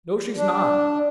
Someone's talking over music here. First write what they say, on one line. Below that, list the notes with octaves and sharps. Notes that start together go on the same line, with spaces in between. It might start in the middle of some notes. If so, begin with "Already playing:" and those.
"No, she's not."
D4